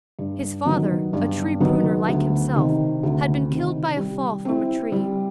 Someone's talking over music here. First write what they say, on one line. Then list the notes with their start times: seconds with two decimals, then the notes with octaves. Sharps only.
His father, a tree-pruner, like himself, had been killed by a fall from a tree.
0.19 G2
0.65 D#3 F#3 B3
1.13 G2
1.60 D#3 F#3 B3
2.08 D2
2.56 C3 D#3
3.03 D2
3.50 C3 D#3
3.97 G3
4.45 C4 E4
4.92 G3